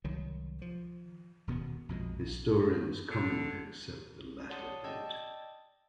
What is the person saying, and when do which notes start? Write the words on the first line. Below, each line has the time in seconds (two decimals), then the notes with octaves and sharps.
Historians commonly accept the latter date.
0.04 C2 D#3 F#3
0.62 F3
1.47 D#1 B2 D#3 B3
1.89 A#1 F2 B2 G#3
2.19 A#1
3.11 D3
4.49 C#5 D5 F#5 A5 C6 D#6
4.84 D5 D#5 G5 A5 E6 G#6